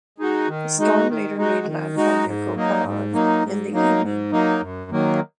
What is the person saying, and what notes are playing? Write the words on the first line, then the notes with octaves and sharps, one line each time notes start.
The storm later made landfall near Gopalpur in the evening.
G#3 D#4 F#4
D#3
G#3 D#4 F#4
D#3
G#3 D#4 F#4
D#3
G#3 D#4 F#4
G#2
F#3 A#3 D#4
G#2
F#3 A#3 D#4
G#2
F#3 A#3 D#4
G#2
F#3 A#3 D#4
F#2
D#3 F#3 A#3